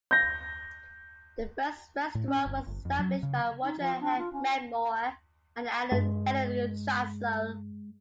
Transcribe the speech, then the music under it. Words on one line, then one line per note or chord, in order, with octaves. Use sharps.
The first restaurant was established by Roger Meadmore and Allen and Helen Trachsel.
G6 A#6
A2
C#4
G1
G1
F2
F#3
C#3
D#4
F3
D4
F4
C#4
G2 G#3